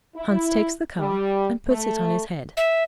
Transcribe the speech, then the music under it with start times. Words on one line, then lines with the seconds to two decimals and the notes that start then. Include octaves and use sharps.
Hans takes the calf, and puts it on his head.
0.16 E4
0.98 G3
1.67 A3
2.57 E5